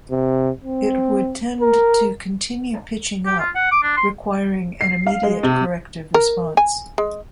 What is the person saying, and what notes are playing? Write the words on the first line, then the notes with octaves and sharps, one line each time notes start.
It would tend to continue pitching up, requiring an immediate corrective response.
C3
C4
A#4
G4
F4
F#5
D6
D4
C6
C7
F5
G#3
C3
A#4
G#5
G#3